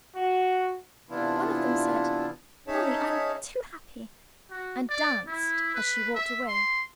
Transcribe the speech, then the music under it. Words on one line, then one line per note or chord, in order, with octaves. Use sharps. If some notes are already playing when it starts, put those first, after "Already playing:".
One of them said, "Polly, I'm too happy!" and danced as she walked away.
F#4
C3 E3 B3 D4 E4 F4
C#4 D#4 G#4 C#5 E5 A5
F#4
D5
E4
B4
E5
C6